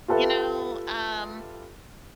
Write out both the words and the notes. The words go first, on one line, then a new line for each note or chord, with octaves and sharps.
You know, um
F4 G4 A4 B4 E5